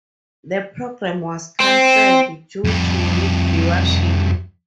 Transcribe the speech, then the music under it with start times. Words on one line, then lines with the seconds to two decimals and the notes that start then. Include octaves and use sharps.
The program was canceled due to weak viewership.
1.60 C4
2.65 F2 G3